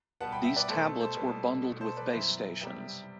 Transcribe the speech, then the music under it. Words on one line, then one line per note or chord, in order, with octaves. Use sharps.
These tablets were bundled with Base Stations.
B2 G3 B3 F#5 A5
G5 B5
E5 G5
B4 D5
B2 A3 A4 C5
A4 C5
B2 G3 B3
B2 A3
A4 C5
B4 D5
F#2 E3 B3 C5 E5
C3 G3 B3 E5 G5